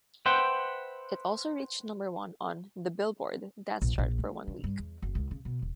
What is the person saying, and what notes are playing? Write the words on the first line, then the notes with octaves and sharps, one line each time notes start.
It also reached number one on the "Billboard" dance chart for one week.
B4 C5 E5 F#5 G5
A#1
A#1
A3
C#3
G2
E2
F#1
C#2
C#3
B2
D#1